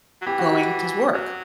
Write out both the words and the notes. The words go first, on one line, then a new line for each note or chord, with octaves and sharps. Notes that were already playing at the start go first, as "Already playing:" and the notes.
going to s work.
F#3
E3 G4
F#4
G4
F#3